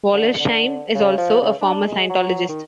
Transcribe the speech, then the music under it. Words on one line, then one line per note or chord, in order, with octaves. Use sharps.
Wollersheim is also a former Scientologist.
D3
D3
C#3
F3
C#3
D4
G#3
F#3
D#3